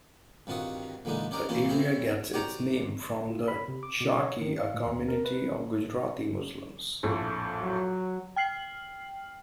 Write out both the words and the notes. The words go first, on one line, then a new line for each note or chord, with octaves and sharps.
The area gets its name from the Chakee, a community of Gujarati Muslims.
G2 C3 D#3 F4 F#4 D#6
A#2 D3 E3 G#3 D4 D#4
C#4 D4 G4 A#4 D5 D#5
A#2 E3 A#3 C4 C#4 F4
E3 A3 C4 C#4 E4 G#4
F#4 G4 C5 D5 G5 A#5
F4
B5
C3
D6
B2
C#5
D#3
F5
A2
D#2
A#4
B4
A#1 F2 A2
F#3
G5 F6 C7 F#7